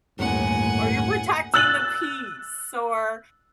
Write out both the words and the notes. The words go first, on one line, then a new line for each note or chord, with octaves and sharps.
Or you're protecting the peace or
G1 D#2 A2 F#5 G#5
E6 F#6 A6 F#7